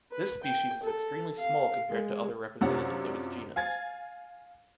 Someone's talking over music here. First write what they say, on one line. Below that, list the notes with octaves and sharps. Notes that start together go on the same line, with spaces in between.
This species is extremely small compared to other representatives of its genus.
B4
G5
A4
F5
G#3
F#2 C3 D4 F4 C#5 F#5
F5 G#5 G#6 A6